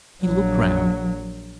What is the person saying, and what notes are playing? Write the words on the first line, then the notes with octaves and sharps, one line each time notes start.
He looked round.
A#1 F#3